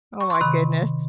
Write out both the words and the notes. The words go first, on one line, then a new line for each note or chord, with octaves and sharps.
Oh, my goodness!
C#6
C6
C3 D#3 B5